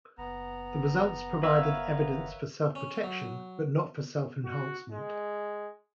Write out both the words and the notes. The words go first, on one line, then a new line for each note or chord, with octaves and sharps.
The results provided evidence for self-protection but not for self-enhancement.
F#1 B3 A#5
A#4 B4 C#5 E5 F5
C#4
F#3
F#4
G#3